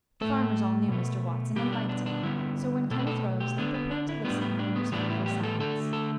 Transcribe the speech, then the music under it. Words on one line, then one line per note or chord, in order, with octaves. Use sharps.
The farmers all knew Mr. Watson, and liked him; so when Kenneth rose they prepared to listen in respectful silence.
A2 A3 A4
B2 A3
B2 G3 B3 G4
D4
D4
D4
D3 G3 B3 E4
B2 A3 A4
B4
A4
G4
D3 B3 D4
B3
D4
E4
A2 G3 B3 D4
B3
D4
B3
A2 E3 G3 B3 D4
E4
G4
A4
D3 A3 A4
A4